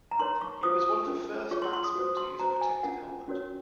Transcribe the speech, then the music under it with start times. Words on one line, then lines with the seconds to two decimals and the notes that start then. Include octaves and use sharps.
He was one of the first batsmen to use a protective helmet.
0.11 A#5
0.19 D#4 A#4 C#5 C6
0.41 C#6
0.63 F4 C5 D#6
1.07 C#4 F4 A#4
1.51 F4 G#4 C#5 C#6
1.62 C6
1.73 C6
1.84 D#6
1.95 F#4 C5
2.17 C6
2.39 F#4 C5 A#5
2.61 G#5
2.83 C#4 F4 A#4 F#5
3.27 C#4 F#4 A#4 C#5